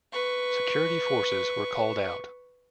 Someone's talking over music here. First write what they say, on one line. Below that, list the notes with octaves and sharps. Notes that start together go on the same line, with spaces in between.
Security forces were called out.
B4 C#6